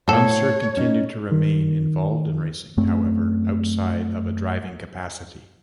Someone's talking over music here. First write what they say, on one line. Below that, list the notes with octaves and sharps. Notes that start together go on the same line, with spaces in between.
Unser continued to remain involved in racing, however, outside of a driving capacity.
A2 F#3 A4 C5 C#5
C#4 D#4
D#3
F#2 A3 C4